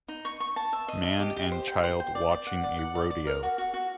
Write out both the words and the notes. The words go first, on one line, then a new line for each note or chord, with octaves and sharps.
Man and child watching a rodeo.
D#4
C#6
C#6
A5
E5
D#5
D#5
G4
G4
C5
G5
C5
G5
D5
D5
F#5
D5
F#5
D5
D5
A#4
F#4
F#4
F#4